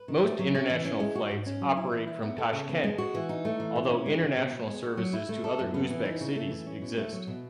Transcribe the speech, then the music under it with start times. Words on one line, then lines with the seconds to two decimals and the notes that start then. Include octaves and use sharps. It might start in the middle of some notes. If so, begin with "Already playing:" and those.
Most international flights operate from Tashkent, although international services to other Uzbek cities exist.
Already playing: B4
0.08 D#3
0.23 A3
0.39 F#3
0.55 C#4
0.70 E3
0.85 C#4
1.00 G#3
1.15 F#4
1.31 G#2
1.46 C#4
1.61 F#3
1.77 E4
1.92 E3
2.07 E4
2.23 B3
2.38 A4
2.53 C#3
2.69 B3
2.83 G#3
2.98 F#4
3.15 E3
3.29 D#4
3.45 A3
3.60 E3
3.76 B2
3.91 C#4
4.06 G#3
4.21 B2
4.37 B2
4.52 B3
4.67 G#3
4.83 F#4
4.97 F#3
5.13 E4
5.29 A3
5.44 A4
5.59 F#2
5.74 B3
5.90 E3
6.05 D#4
6.20 C#3
6.35 A3
6.51 E3
6.66 C#4
6.82 B2
6.97 A3
7.12 F#3
7.27 B2